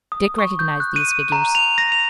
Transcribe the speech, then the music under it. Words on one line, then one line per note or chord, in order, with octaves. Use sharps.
Dick recognized these figures.
D#6
C#6
G6
F#6
D#7
A#5
F7
A#6
F7